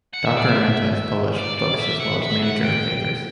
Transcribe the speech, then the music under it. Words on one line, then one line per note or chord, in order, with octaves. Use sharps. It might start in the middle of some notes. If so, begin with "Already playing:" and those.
Doctor Amenta has published books as well as many journal papers.
F#5
E5
D5
E5
D5
D5
E5
F#5
E5
F#5
G5